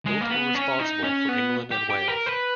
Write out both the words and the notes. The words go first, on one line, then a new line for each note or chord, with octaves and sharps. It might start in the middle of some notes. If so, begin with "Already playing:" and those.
Both were responsible for England and Wales.
G#3
A#3
B3
C#4
D#4
C#4
B3
G4
G4
A#4
B4